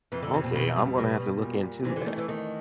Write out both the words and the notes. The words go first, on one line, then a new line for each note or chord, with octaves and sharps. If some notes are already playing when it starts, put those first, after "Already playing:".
Okay, I'm gonna have to look into that.
F2 E3
D3
F2 C3
B2
F2 B2
G3
B2 G3
G3
A#2
A#2
C3 E3
D3
D#3 A3
E3
D#3 A3